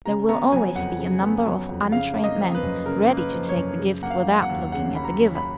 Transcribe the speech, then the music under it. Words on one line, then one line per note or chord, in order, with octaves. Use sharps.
There will always be a number of untrained men ready to take the gift without looking at the giver.
C#3 A#5
B3 A#5
F#3 G#5
F2 F#5
C#3
B3
F#3
F2
C#3 F5
A#3
D#5
F3
B4
F#2
C#3 A#4
A#3
B4
F3
C#5
F#2
C#3
A#3 F#5
F5
F#3
F#5
D#2
C#3 F#5
A#3 B5
A#5
F#3
B5